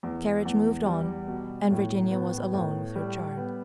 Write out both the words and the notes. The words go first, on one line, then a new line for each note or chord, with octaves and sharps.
The carriage moved on and Virginia was alone with her charge.
E2
E2
G3
B2
A2
B3
A2
G3
B3